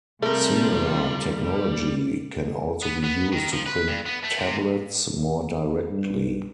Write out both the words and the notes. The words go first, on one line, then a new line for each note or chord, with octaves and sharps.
Similar technology can also be used to print tablets, more directly.
C3 G3 A3 F4 A#4
B3
B3
D#3
F3
B4
G2
B3
A3
C3
G2